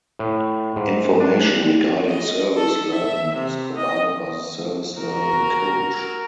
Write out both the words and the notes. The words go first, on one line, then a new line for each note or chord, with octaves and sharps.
Information regarding service learning is provided by the Service Learning Coach.
A2
G#2
D4
D#5
A4
E5
C3
D#5
F#4 A#4